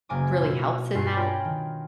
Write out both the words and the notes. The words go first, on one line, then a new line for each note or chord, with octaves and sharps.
really helps in that
F#1 A#3 G#5 D6 D#6
B2 E4 F4
G2 F4 G#5 C7
F4 A#4 C#5 G5 G#5 B5
D#3